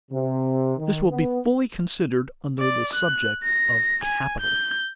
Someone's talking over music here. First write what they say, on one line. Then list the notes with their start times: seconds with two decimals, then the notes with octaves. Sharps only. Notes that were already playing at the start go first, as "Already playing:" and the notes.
This will be fully considered under the subject of capital.
0.11 C3
0.77 D#3
1.10 B3
2.60 D5
2.94 F#6
3.44 A#6
4.04 G#5
4.41 G6